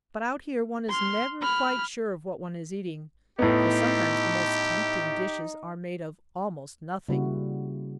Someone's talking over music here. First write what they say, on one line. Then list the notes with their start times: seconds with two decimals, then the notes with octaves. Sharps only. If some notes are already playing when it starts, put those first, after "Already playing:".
But out here one is never quite sure of what one is eating, for sometimes the most tempting dishes are made of almost nothing.
0.89 C6 F6
1.42 B5 F6
3.39 A2 B3 D#4 G4
7.09 C#3 G3 A#3 E4 F#4